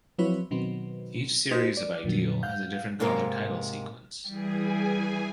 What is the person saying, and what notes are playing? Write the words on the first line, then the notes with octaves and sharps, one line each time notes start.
Each series of "Ideal" has a different coloured title sequence.
F3 F#3 C4 E4 B4 C#5
B2 D#3 F#3 B3 C4
A#3 D#4 F#4 G4 C5 D#5
D5
F2 A#2 D3 F#3
F5 F#5 G6
G#2 C3 A#3 A#4
E3 G3 G#4 G#5